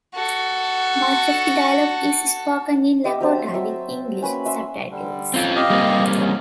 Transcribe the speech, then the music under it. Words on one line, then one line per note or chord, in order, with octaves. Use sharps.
Much of the dialogue is spoken in Lakota with English subtitles.
F#4 A4
G4 D#5 E5
F#3 C4 C5 A5
F#3 E5
A#3 C#4 B4
E5 C6
D3 G3
C4 C#4 F4
G4 D#5 F5
G3 A#3 C4
E2 C#4